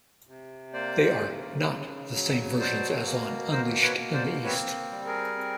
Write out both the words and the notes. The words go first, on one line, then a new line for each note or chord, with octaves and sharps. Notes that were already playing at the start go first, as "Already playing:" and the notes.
They are "not" the same versions as on "Unleashed in the East".
C3
A#3 C5 D5
C#3
C#3
F#3
B2 C5 D5
A#3
B2 A#4 C5
B4 C#5
A#3
C5 D5
C4 B4 C#5
G3
G#4 A#4
C4